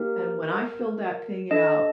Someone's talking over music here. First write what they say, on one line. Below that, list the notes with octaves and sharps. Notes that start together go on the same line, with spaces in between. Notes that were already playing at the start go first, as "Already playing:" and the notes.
and when I filled that thing out
Already playing: A#3 D#4 G4 A#4
D4 A4 D#5